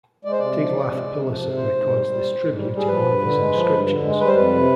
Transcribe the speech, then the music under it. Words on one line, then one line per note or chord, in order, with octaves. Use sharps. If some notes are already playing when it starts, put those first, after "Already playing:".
Tiglath-Pileser records this tribute in one of his inscriptions.
G#3 D5
C5
C3 D5
F3
C3
G#3
C3
F3
C3
G#2 C5
G#2
G3
G3
G#2
G#2
G3
G3
G#4
F3 B4
G2
D3
G#3
F3
G2
D3
G#3
G3 B4
C5
F2 B4
C3